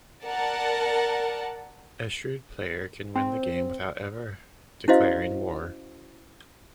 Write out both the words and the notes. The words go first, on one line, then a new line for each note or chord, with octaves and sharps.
A shrewd player can win the game without ever declaring war.
A#4 D5 F#5 A5
C4
C#4 E4 F#4 C5 D#5 F5